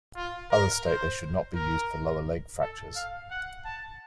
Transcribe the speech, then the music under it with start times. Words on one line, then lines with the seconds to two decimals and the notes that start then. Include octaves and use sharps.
Others state they should not be used for lower leg fractures.
0.16 F4
0.51 A#4
0.86 C5
1.55 A#4
2.60 A4
2.96 F5
3.30 F#5
3.65 A5